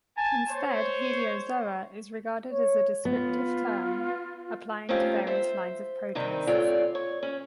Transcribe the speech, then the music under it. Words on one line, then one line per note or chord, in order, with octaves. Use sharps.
Instead, "heliozoa" is regarded as a descriptive term applying to various lines of protists.
G#5 A5
C5 C#5
C#5
B3 F4
A3 C4 C#4 D#4 F4 G4
C5 E5
G2 C3 D#3 C4 D#4
A3 C4 F4 C#5 D5
C#5
C#4